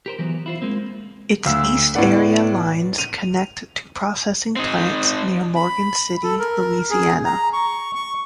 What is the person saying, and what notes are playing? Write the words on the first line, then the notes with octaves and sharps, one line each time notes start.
Its East Area lines connect to processing plants near Morgan City, Louisiana.
G4 A#4 C5
E3 F#3 B3
E4 F4 C5
G#3 A#3 C4
D2 F5 E6
A2 B3 D5 F#5
D#7 F7
C4 D#4
B5
A4
A#4
G#4
A#5
C#6
C#6